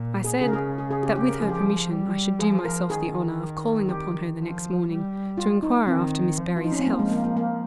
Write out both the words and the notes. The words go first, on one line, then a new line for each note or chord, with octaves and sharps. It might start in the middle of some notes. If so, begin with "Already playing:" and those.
I said, that with her permission I should do myself the honour of calling upon her the next morning to inquire after Miss Berry's health.
Already playing: A#2
G#4
C#3 G#4
A#4
G#4
G#4
G#4
G4
G4
A#4
F3 G#4
G4
G#4
G3
F3 G#4
A#4
D#3 G#4
G4
F3
G3
F4
D#4
D#3 C4
F3
F4
D#4
C#4
C4
A#3
G#3
A#3
A#3
A#3